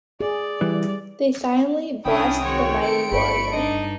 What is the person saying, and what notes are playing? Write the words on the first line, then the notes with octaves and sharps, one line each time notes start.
They silently blessed the mighty warrior.
G#4 D5
E3 G3
C2 C#4 D4 E4 G5 D#6
D#3 G#3 C4 F#4 C#5
A3 C#7 D7
G1 B5 C#6
G2 D4 D#4 D#5